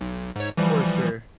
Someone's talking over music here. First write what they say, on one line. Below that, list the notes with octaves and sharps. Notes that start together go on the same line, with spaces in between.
For sure.
B1
G#2 C#5
E3 F3 G3